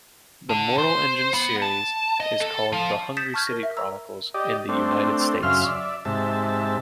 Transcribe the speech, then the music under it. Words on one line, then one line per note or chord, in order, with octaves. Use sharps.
The Mortal Engines series is called the "Hungry City Chronicles" in the United States.
D3
C5
B3
A5
D#5
A4
F3
D#6 G6 A6 B6 C#7 E7
A5 C#6 F6 G6 G#6
A#4 A#6
E5
A#5 E6
G4 D5 D#5
A3 C4 D4
F#2 C#3 E5 F5 C6 F6
D5 E5
G#2 C3 E5 A5